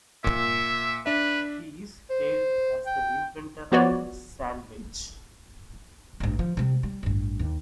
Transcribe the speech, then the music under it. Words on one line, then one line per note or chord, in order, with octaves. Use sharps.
He is hailed as the inventor of the sand wedge.
A#2 E5
D4 B4 E5
C5
G5
F3 B3 F#4 B4 C#5 D5
A1 G2
F3
C3 G3
G3
A1 G2
D#2